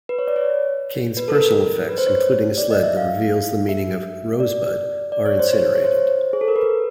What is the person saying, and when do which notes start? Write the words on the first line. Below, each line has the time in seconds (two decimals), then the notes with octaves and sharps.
Kane's personal effects, including a sled that reveals the meaning of "Rosebud", are incinerated.
0.09 B4
0.19 C#5
0.28 D5
0.36 C#5
1.17 B4
1.28 A4
1.35 A#4
1.89 B4
1.98 C5
2.07 C#5
2.58 D5
2.71 D#5
2.83 E5
2.97 F5
3.69 E5
4.40 D5
5.12 D5
5.26 C#5
5.39 C5
5.53 C#5
5.75 C#5
5.84 C5
6.33 G#4
6.41 A4
6.48 A#4
6.56 B4